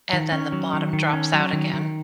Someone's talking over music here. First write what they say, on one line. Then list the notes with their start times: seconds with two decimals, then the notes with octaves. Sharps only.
and then the bottom drops out again.
0.13 D#3
0.32 C#4
0.52 F#3
0.73 D#3
0.93 D#3
1.13 C#4
1.33 F#3
1.53 D#3
1.74 D#3